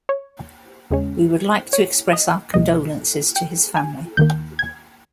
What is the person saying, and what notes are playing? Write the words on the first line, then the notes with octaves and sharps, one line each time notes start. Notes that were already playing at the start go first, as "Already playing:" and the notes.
We would like to express our condolences to his family.
C#5
E2 C#3 G#3 C#4
C#5
D#5
C#2 B2 G3 A#3 D#5
G5
G#5
D#2 D#3 A#3 G6
G#6